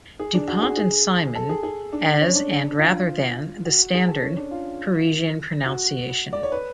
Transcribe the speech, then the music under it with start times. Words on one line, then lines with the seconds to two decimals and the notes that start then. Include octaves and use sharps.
Dupont and Simon as and rather than the standard Parisian pronunciation.
0.19 G#4
0.34 D4
0.48 F#4
0.62 G#4
0.77 G#4
1.35 A4
1.49 G#4
1.63 G#4
1.93 D4
2.21 C#4
2.35 D4
2.79 F4
3.65 F#4
3.94 G#4
4.08 A4
4.23 C#4
4.37 D4
4.51 F4
5.66 F#4
6.33 D5
6.43 C#5
6.52 B4